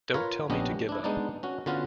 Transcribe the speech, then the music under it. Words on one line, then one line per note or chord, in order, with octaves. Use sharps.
Don't tell me to give up.
F4 A#4 B4 C#5
A#1 B3 C#4 D4 G4 D#5
D4 E4
G#3 B3 D4 D#4 D5
C#4 F#4
D3 B3 C#4 F4 F#4